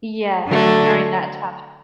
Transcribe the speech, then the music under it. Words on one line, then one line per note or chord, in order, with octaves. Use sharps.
Yes, during that tough
D3 F#3 A3